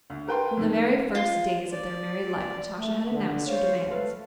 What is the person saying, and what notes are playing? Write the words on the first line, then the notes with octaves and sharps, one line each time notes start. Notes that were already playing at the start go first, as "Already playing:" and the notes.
From the very first days of their married life Natasha had announced her demands.
D2
A#4 B4 G5 A5 C6
F2 D#3
F4
D5
A3
D3
F4 C5 C#5
A3 A4 B4 C5 F5